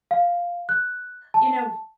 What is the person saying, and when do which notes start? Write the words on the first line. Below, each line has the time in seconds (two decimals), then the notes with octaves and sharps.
you know,
0.11 F5
0.69 F#6
1.34 A5